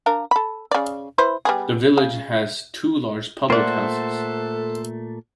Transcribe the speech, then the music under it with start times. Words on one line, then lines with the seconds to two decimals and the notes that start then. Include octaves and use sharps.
The village has two large public houses.
0.06 D4 A#4 F5
0.31 A4 B5
0.71 C#3 D5
1.18 E4 B4 C5
1.45 G3 B3 G#4
1.98 C#3
3.50 A#2 A3 A#3 A4 C5 D5 F#5